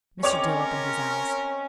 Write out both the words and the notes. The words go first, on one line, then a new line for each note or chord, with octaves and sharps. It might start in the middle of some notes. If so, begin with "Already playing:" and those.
Mr. Dill opened his eyes.
G#3 C4 C#4 A#4 C#5 D6 F7